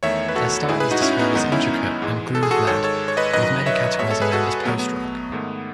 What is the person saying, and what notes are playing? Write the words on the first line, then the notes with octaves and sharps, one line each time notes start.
Their style is described as intricate and groove-led with many categorizing them as post-rock.
E2 D#3 A3 C#5 E5
B4
F#4 A4
A2 G#3 E4 G#4
G#4 B4
D#4 F#4
C#4 E4
B3 D#4
F#2 D#3 G#3 B3 D#4
C#4 E4
G#2 E3 G#3
A4
G#4
F#4 A4
G#2 D#3 G#3 A4 C#5
A4 C#5
C#5
B4 D#5
F#2 D#3 F#3 B4 D#5
C#5 E5
B2 G#3 C#5 E5
A4 C#5
G#4 B4
F#4 A4
B2 F#3 A3 B3
B3
G#2 D#3 A3